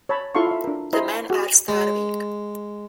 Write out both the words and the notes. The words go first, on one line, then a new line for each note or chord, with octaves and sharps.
The men are starving.
C#5 A5 B5
E4 F4 A4 F5 C6 C#6
E5 F5
D4 A#4
E4 C5 D#5 A#5 C6
F#4 G#4
G#3